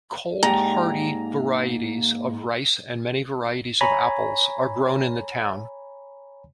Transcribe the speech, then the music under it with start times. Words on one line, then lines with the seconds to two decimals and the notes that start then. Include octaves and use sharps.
Cold-hardy varieties of rice and many varieties of apples are grown in the town.
0.43 G#2 A#3 G4 D5 G5 A#5
3.81 C#5 G#5 A#5 B5